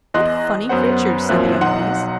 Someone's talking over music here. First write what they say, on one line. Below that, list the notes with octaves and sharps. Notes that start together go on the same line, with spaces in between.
"What funny creatures!" said the young Bees.
E2 D#5 C6 F#6
F#2 B3 B4 C5 F#5
F#2 A#2 F3 C4 E5 F#6
B1 D#4 F#5 C6